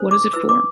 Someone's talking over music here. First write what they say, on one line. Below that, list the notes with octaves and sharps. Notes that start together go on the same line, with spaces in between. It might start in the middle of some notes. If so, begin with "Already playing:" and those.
What is it for?
Already playing: D4 A4 C5
D6
E4 B4 E6
D6